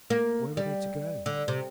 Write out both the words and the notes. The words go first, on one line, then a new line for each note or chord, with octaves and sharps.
Where were they to go?
A#3
G3
D3
C3